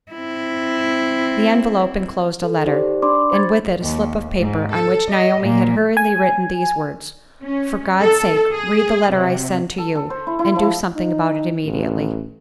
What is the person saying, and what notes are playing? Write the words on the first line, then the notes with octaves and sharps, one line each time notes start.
The envelope inclosed a letter, and with it a slip of paper on which Naomi had hurriedly written these words: "For God's sake, read the letter I send to you, and do something about it immediately!"
C4 E4
A4
D#4 G4 C5 D5
D4 D5 B5 C6 D6
C5 B5 G#6 A6
D#2
G#2
A4
D#5
A#2
G#5
C#4
A4
G#4
C3
A4
A4
C5
E4
E4
F3
D#4
A1